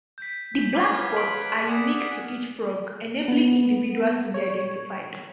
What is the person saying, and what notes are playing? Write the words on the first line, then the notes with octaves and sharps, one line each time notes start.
The black spots are unique to each frog, enabling individuals to be identified.
G6 B6
F#3 B4 F5 D6 F6 G#6
B6 D7 F#7
G#4 D5 F#5 B6 E7
B3
C#5